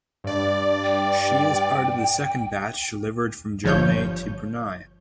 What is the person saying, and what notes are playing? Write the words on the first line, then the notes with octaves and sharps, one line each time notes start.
She is part of the second batch delivered from Germany to Brunei.
G2 D5
G5
G1 F3 C#5 G6